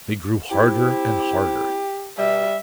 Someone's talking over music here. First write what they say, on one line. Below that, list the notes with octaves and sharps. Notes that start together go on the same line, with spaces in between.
They grew harder and harder.
C4 E4 G4
B2 G3 E5